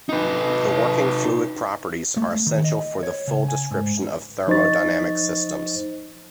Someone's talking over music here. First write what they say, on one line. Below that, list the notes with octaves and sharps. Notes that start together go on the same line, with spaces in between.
The working fluid properties are essential for the full description of thermodynamic systems.
D#4 B4
A3
D#3
D#5
C#5
C#3
G#5
G#2
F3 D#4 C5 D#5 C#6 A6